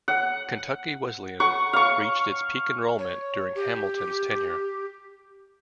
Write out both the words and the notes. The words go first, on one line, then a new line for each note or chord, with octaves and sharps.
Kentucky Wesleyan reached its peak enrollment during Hamilton's tenure.
F#5
F#5 C#6
F5 C#6
C#5
G4